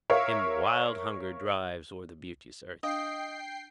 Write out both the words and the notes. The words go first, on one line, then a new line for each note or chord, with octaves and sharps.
'Him wild hunger drives o'er the beauteous earth.'
A#4 C#5 E5 F5
D4 D#5 F5 G5 C7